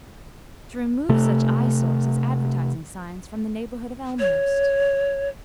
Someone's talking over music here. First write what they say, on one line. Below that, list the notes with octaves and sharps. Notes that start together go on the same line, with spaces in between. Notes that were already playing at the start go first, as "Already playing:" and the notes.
"To remove such eyesores as advertising signs from the neighborhood of Elmhurst."
C3 A3
C#5